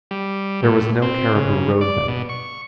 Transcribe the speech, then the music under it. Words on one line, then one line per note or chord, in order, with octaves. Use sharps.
There was no Cariboo Road then.
G3
A2
C4
C#3
D5
B2
C#6